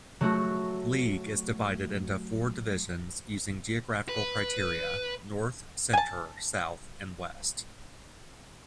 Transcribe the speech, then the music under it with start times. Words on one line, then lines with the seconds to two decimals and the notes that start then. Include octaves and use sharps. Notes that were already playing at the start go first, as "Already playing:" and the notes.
League is divided into four divisions using geographical criteria: North, Center, South and West.
0.21 F#3 A3 F#4
4.09 B4
5.93 G#5 A5